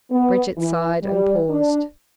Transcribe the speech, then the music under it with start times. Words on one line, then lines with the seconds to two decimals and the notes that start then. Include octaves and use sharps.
Bridget sighed and paused.
0.11 B3
0.57 E3
1.03 G3
1.50 D4